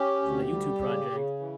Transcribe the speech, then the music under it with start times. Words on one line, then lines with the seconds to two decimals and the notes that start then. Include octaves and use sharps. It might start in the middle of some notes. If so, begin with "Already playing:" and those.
for the YouTube project,
Already playing: C#4 G4
0.22 D2
0.51 G3
0.81 C#3
1.10 C#3
1.39 E3